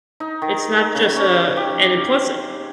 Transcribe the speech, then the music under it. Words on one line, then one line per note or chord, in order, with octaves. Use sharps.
It's not just a and then plus
D#4
D#3
C#3
C#4
G4